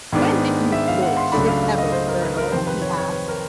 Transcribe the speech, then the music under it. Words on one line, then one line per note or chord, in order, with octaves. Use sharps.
"When did you flourish, if ever, colonel?" he asked.
G#2 D#3 G#3 B3 D4
E5
F5
F#5
C6
C#2 C#3 F#3 A3 D4 B5
F5
F5
D#5
C5
A#4
B4
A#4
F2 C3 D#3 C5
B4
C#5
C#5
B4
A#4